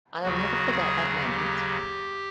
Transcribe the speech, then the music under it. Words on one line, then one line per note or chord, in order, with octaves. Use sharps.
I’ll never forget that moment.
D#2 C#3 F#3 F#4
G#4
G4